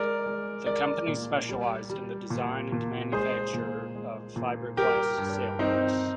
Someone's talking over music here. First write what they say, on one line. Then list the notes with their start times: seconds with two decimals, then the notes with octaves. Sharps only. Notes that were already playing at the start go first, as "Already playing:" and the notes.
The company specialized in the design and manufacture of fibreglass sailboats.
Already playing: G#3 A#4 D5
0.26 G#3
0.66 G#3 A#4 D5
1.08 A#2
1.49 G3
1.90 G3
2.30 A#2
2.72 A#2
3.12 G#3 G#4 C5
3.54 A#2
3.95 G#3
4.36 A#2
4.77 G3 G4 A#4
5.18 G2
5.59 G2 C4 D#4